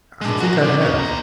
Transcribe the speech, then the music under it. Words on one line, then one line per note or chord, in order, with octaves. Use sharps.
"I think I have."
G#3 D4
F#4 A#4
C4 D5
C#4 D#4
B2 A#5